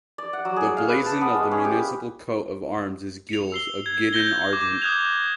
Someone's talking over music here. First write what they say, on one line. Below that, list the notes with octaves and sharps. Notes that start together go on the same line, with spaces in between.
The blazon of the municipal coat of arms is Gules a Guidon Argent.
D5
F#5
F#3
G#4
F5
B4
A5
B3
G#3
C#4
G4
B5
C#7 F7
E6 C7 G7
G#6
G6 G#6 A#6 G7
D6
D#6 F#6 G#6 F7